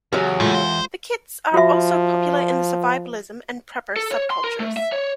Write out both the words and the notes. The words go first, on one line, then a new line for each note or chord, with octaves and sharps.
The kits are also popular in the survivalism and prepper subcultures.
E2 C#3 F#3 G4
A2 G#3 F4 A4
C5 F5
F3 F4 F#4 E5
A4
C#5
C6
A#4
A3
E5
C#5